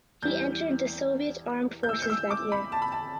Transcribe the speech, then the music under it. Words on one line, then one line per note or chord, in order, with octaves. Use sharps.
He entered the Soviet Armed Forces that year.
E2 E3 G3 G6
G6
E6
G6
E6
D6
B5
A5
B5
A5